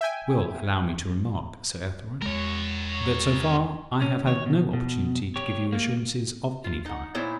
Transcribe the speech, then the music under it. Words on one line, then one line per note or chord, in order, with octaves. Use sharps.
"You will allow me to remark, Sir Ethelred, that so far I have had no opportunity to give you assurances of any kind."
E5 G5 G#5
E2 G#3 A#4 C#5
C#4
D#2 C#5
B2
B2
G4 C#5
A#3
F4
D#4 F#5
A#2 B3 D#4 E4 C5 C#5